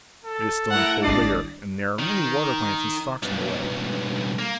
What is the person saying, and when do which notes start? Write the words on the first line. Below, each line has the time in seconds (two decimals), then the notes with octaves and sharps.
It is still in full vigour, and there are many water-plants and stalks in the way.
0.25 A4
0.71 A3 E4 A#4 F#5
1.03 G#1 G3 D4 D5 D#5 A5 C7
1.99 D#3
3.22 B1 G2
4.39 A#3